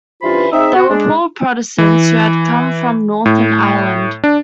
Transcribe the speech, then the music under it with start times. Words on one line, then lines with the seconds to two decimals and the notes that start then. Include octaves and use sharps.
They were poor Protestants who had come from northern Ireland.
0.22 G2 E3 C#4 F4 C5 B5
0.52 C4 D#4 G#4 E5
0.75 F#4
0.88 G#3 D4
1.78 E3
3.26 A2
4.24 D4